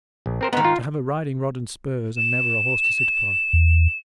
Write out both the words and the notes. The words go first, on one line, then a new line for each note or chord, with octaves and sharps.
To have a riding-rod and spurs, and never a horse to sit upon!
A#1
C4 A#4 C5
G#2 D#3 B3
F4
E7
E2